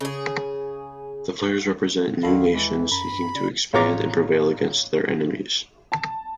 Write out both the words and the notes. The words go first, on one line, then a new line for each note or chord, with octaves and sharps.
The players represent new nations seeking to expand and prevail against their enemies.
C#3 G#4
D#2 D3 D#3 A4 F5 B5
E3 G#3
F#2 A#5 B5
G2
C#3 D5
A1 F4 C#5 A#5 D6
A5